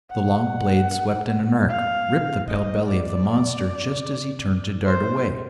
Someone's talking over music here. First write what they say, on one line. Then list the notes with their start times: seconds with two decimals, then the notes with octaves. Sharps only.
The long blade swept in an arc, ripped the pale belly of the monster just as he turned to dart away.
0.11 F#5
1.69 F5
2.48 D#5
2.88 D5
4.86 C5